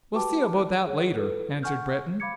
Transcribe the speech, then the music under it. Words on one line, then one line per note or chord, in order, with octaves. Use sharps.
"We'll see about that later," answered Breton.
F#4 G4 B4 G5 A5 D6
G#4 C#5 F#5
E4 A4 B4
F#5 G#5 C#6 F6 G6
F5 B5 D6 G#6 C#7